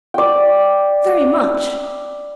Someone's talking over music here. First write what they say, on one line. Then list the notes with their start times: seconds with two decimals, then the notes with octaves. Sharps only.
"Very much!"
0.14 D5 G5